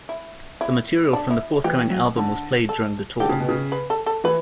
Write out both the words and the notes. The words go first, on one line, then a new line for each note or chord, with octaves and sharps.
Some material from the forthcoming album was played during the tour.
E4
E4
D4
E4
E3 G4
F#3
D3
A4
D3 G4
C#3
B2
C#3
B4
A4
A4
E3 B4